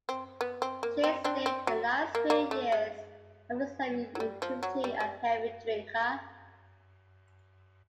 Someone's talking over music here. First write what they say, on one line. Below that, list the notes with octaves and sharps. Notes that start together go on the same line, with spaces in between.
Shays lived the last few years of his life in poverty, a heavy drinker.
C4
B3
C4
A#3
C4
C4 D4
C4
F#3
A#3
A#3
A3
G#3
F#3
G3
F3
F#3
G3
G3